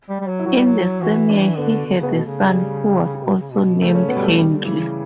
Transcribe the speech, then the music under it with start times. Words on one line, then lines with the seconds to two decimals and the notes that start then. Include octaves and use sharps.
In the same year he had a son who was also named Henry.
0.09 G3
0.21 G3
0.27 F#3
0.39 E4
0.46 F#3 F#4
0.57 G3
0.67 F#3
1.02 E3 F#4
1.29 D4
1.58 D3 B3
1.86 D3
1.99 C#3 B3
2.12 B2 A3
2.25 C#3
2.42 G3
3.26 B2
3.39 C#3
3.52 B2
3.81 C#3 A3
3.95 C#4
4.09 B2 B3
4.17 G3
4.23 A3
4.37 B2 G3
4.57 D3
4.65 C#3 E3